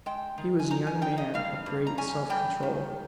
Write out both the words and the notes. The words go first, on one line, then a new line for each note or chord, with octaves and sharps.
He was a young man of great self-control.
G#3 G5
D#3
G#5
D#4 A#5
G#5
D#4 G5
D#5
G2 F5
G2
A#5
C#4 G#5
G3 G5
D#3